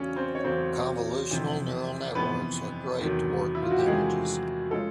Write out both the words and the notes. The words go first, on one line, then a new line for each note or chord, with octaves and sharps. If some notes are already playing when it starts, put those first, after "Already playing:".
Convolutional Neural Networks are great to work with images.
Already playing: E2 C#3 F#3 A3 C#4 D4 C#5 D5
C4 C5
C#5
E2 C#3 F#3 A3 C4 C5
F2 C3 E3
F2 C3 E3 B3 B4
E2 C3 D#3 F#3 A3
E4
F4
F#4
G4
E2 C3 D#3 F#3 G#3 A3 G#4
C#3 F3 G#3 A3 C#4 A4